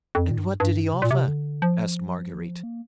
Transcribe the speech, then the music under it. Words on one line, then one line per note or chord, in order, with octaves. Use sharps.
"And what did he offer?" asked Marguerite.
F2
A#2
G2
G2
C3
A#2
C3
D3
F3
A#3